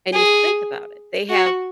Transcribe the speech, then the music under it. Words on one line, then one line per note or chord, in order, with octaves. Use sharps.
and you think about it, they have
G#4
F#4